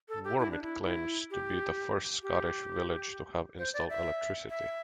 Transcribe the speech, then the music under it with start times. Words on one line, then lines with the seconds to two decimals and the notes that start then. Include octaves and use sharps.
Wormit claims to be the first Scottish village to have installed electricity.
0.09 A4
0.24 G4
0.39 E4
0.51 D4
0.62 E4
0.84 E4
1.30 G4
2.22 G4
3.59 C5
3.73 D5
3.90 E5
4.50 E5